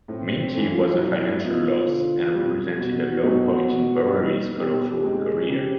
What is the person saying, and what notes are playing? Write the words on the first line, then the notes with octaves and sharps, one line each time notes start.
Minty was a financial loss and represented a low point in Bowery's colourful career.
A2 C4
C4
E3 A3
F4
F#3 E4
B3 D#4 F4
D3
G3 C4
B2 F#4
F#3 B3 D#4
B2
G3 C4 D#4
B2 G4
G4
G#3 C4 D#4
G#4
C#3 G4